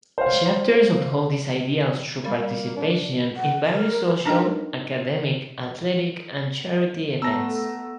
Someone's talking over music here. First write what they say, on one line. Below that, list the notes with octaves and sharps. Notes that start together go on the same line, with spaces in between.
Chapters uphold these ideals through participation in various social, academic, athletic and charity events.
C5 C#5 F5
G3 A#3
D4
F#5
A#4
D4 D#4 A#4 B4 D#5 G5
A3 B3 E5 A5 A#5 E6 A#6